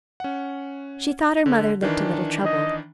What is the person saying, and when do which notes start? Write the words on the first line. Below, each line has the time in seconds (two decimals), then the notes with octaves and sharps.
She thought her mother looked a little troubled.
0.20 C#4 F#5
1.46 D3
1.82 D#3 E3 D4
2.45 D#5